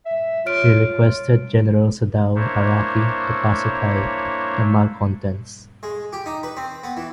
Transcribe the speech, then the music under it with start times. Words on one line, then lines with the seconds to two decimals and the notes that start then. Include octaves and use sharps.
He requested General Sadao Araki to pacify the malcontents.
0.06 E5
0.46 F4 C#5 F6 D7
2.36 A#3 D4 E4 C5 C#5
5.83 G#3
6.13 G4
6.26 D#4
6.43 B4
6.57 C4
6.83 B3
6.97 E3